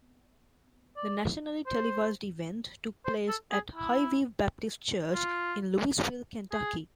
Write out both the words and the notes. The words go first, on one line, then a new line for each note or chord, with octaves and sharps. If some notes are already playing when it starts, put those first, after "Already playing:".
The nationally televised event took place at Highview Baptist Church in Louisville, Kentucky.
D5
C5
C5
A4
G#4
E4
F4
G#4